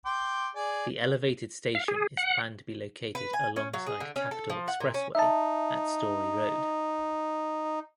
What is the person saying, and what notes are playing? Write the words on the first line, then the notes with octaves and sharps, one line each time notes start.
The elevated station is planned to be located alongside Capitol Expressway at Story Road.
G5 C6 D6
G#4 D5
F5
G#4
F#5
B4
G#5
C#4
F#3
G#4
D3
C#4
A4
F3
F#5
A#2
C#4
D#4 E5 A5